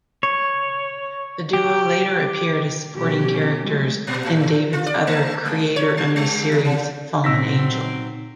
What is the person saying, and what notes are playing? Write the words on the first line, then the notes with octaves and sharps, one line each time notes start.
The duo later appeared as supporting characters in David's other creator-owned series, "Fallen Angel".
C#5
G4
B2 F3 C#4 G4
F#3 G#3 A3
A#2
A2
F4
D5
A3
G#3
C#5
G3
G3
D#2
C#3
A#2 F#3 C4 D#4 E6 A#6 B6